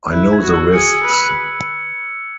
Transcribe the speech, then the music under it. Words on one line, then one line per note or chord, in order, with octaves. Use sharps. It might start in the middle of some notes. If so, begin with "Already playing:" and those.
I know the risks.
E4 F#6
G#6
F#4
E6
G#4 C#7
B4